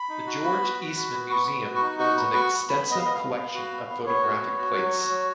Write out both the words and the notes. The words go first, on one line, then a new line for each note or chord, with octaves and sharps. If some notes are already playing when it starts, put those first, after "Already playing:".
The George Eastman Museum holds an extensive collection of photographic plates.
Already playing: B5
D#4
F#4
B3
F#4
F#4
F#4
B3
B3 C#6
B3
F#4
C#6
D#4
F#4 C#6
B3
F#4 C#6
B3
B3 B5
B3
D#5
F5
B3 D#5
F5
B3
B3
F#4
B3
B3
B3 C#5
F#4
B3
F#4
F#3
F#4
F#3